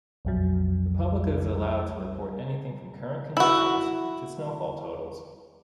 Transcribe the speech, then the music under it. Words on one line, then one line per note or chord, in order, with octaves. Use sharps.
The public is allowed to report anything from current conditions to snowfall totals.
B1 F2 F#3
E4 F#4